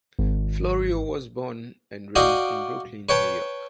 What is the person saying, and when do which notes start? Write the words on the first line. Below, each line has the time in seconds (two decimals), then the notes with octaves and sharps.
Florio was born and raised in Brooklyn, New York.
0.19 G#1
2.16 F#4 D5 D#5 F5 G5
3.09 B4 C#5 G5 A5